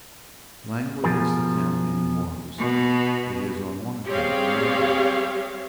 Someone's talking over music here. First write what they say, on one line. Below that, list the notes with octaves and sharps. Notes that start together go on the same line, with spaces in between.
Languid as the campaign was, it is on one account remarkable.
B2 E3 F3 G#4 A#4
B2
G3 C4 G4 G#4 C#5 F5